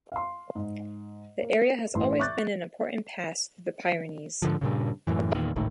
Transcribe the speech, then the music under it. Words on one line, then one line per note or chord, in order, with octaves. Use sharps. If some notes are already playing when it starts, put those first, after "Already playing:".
The area has always been an important pass through the Pyrenees.
F5 C6
G#2
A#3
A1 E3 C6
E5 C#6 D6 F#6 G6 A6
G#2 D3 F3
G2 A#2 C#3
F#2 A2 E3
E2 A#2 D#3
G#1 C#2 A2 D#3